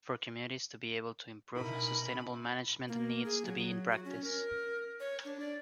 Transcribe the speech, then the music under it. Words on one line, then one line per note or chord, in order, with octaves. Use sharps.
For communities to be able to improve, sustainable management needs to be in practice.
B2 C#4 D#4 E4 A#4 B5
A#3
G#4
F#3
F#3
F#4
C#4
A#4
C#5
D4
D5